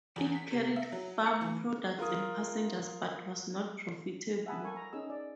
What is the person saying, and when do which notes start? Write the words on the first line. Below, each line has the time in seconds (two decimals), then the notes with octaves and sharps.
It carried farm products and passengers but was not profitable.
0.16 E2
0.35 B6
0.51 C3
0.76 E5
0.92 F#3
1.26 C#7
1.41 E3
1.99 F4 A#4 D#6
4.46 E5 F#5 G#5 A5 B5 D#6
4.61 F4 A4 A#4 G#5 C#6
4.76 A#5
4.93 C#4 D#4 G#4 E6
5.10 D5